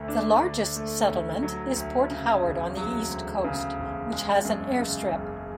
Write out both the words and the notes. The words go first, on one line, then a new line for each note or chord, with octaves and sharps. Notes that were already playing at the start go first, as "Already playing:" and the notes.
The largest settlement is Port Howard on the east coast, which has an airstrip.
Already playing: D2 D3 A3
D4
D3
A3
D2
F#3
D2
C#3
E1
F#3
D2
C#3
E1
G#3
F#2
C#3
F#1